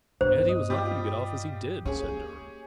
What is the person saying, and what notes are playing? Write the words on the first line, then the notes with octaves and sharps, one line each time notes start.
"Yet he was lucky to get off as he did," said Durham.
G2 B3 C5
D#5
G3 F4 G4
A#3 C#4 G#4